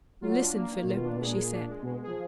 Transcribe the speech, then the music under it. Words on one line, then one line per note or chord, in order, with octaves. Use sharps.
"Listen, Philip," she said.
F#3 F4
D4
A#3
D#3
A#2
F4
B2
A#2 D4
B2
A#2 G#3
G#4
D4
G#3
B2 G#3
F3 G#4